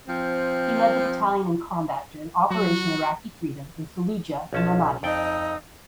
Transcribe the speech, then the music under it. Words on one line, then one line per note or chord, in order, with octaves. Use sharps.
He led the battalion in combat during Operation Iraqi Freedom in Fallujah and Ramadi.
F3 C4
F#3 F#4
B1 C#4 A5
F2 D#4 D5 G5 E6